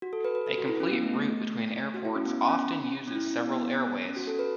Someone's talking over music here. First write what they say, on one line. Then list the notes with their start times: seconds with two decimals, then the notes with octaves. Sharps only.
A complete route between airports often uses several airways.
0.02 F#4
0.13 A4
0.25 B4
0.35 B4
0.46 A4
0.58 F#4
0.68 E4
0.80 C#4
0.92 B3
1.03 A3
1.14 A3
1.25 A3
1.94 F#4
2.05 E4
2.15 C#4
2.26 B3
2.49 C#4
3.08 C#4
3.15 E4
3.26 E4
3.38 B3
3.50 B3
4.05 C#4
4.16 F#4
4.27 A4
4.39 B4